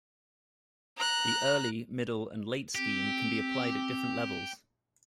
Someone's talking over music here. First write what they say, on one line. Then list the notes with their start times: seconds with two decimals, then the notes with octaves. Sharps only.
The "Early", "Middle" and "Late" scheme can be applied at different levels.
0.97 A#5 F#6
2.75 C4 G4